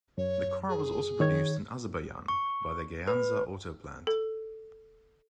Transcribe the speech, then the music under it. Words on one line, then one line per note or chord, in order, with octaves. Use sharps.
The car was also produced in Azerbaijan by the Gyandzha Auto Plant.
F#2 C#5
G#4
D#3 C#5 G#6
C#6
B4
A4